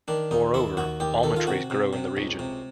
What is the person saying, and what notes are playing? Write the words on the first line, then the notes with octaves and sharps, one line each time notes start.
Moreover, almond trees grow in the region.
D#3 D4
D#2 D#4
D#2 E4
D#2 F#4
D#2 G4
D#3 A4
F4
C3 F#4
C3
C3
C#2
C3